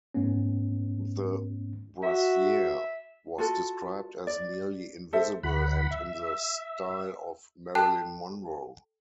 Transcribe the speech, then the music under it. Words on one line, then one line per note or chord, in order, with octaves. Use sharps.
The brassiere was described as "nearly invisible" and in the style of Marilyn Monroe.
G#2 A3 B3 C#4
F#4 E5
F4 F#4 A4
D5
A4 C5 E5
D2 F#5 B5
E5
A4 G5 A5 F#6